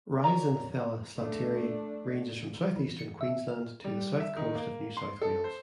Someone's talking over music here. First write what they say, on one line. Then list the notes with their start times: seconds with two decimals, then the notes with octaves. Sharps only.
"Rhizanthella slateri" ranges from southeastern Queensland to the south coast of New South Wales.
0.24 A#4 C#5 D5 A#5
1.16 A3 D4
2.76 E3
2.99 C#7
3.21 E5
3.49 F6
3.84 G3
4.20 E5
4.36 D#3
4.55 A#3
4.97 C6
5.22 A4
5.44 C5